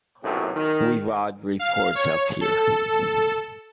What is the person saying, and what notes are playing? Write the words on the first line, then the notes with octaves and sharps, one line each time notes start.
We’ve odd reports up here.
B1 F#2 A2 C3
D#3
F5
C#5
A4